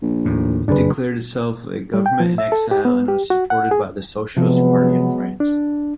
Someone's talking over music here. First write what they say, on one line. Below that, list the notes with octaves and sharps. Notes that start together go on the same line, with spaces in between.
It declared itself a government-in-exile and was supported by the Socialist Party in France.
A#1
D#2 A2
F#1 F2 D4 G#4 B4
G3
G5
F3
E5
A4
G4
B3
G4
F#4
F#5
G#4
C3 F3 F#3 G#3 B3
D4